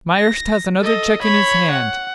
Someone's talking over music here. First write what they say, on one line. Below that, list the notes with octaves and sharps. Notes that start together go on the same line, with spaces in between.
Myerst has another cheque in his hand.
A#6
A4 D#5
C#5 B5
F#5